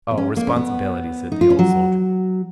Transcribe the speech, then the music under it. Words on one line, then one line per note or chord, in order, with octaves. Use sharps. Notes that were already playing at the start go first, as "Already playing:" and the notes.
Responsibility!' said the Old Soldier.
B3
C#4
A#3
C#4
B3
D#4
F4
C#4
F#3